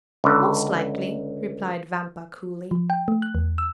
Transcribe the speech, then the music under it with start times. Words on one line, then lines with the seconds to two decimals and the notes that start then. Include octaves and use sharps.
"Most likely," replied Vampa coolly.
0.24 C#2 D3
2.71 F3
2.90 G5
3.08 A3
3.22 F#6
3.35 E2
3.58 E6